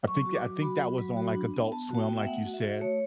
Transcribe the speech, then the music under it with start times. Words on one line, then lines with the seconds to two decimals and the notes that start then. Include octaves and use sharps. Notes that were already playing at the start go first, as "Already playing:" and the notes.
I think tha I think that was on, like, Adult Swim, like you said
0.07 F#3 C#6
0.26 F#4
0.34 D6
0.44 F#3
0.62 F#4 B5
0.80 F#3
0.98 F#3
1.17 F#4
1.35 D4
1.54 B3
1.72 B3 A5
1.91 F#4 A5
1.99 G5
2.09 B3
2.16 E5
2.27 A3 F#5
2.45 F#4
2.54 E5
2.63 F#4
2.81 A3 C#5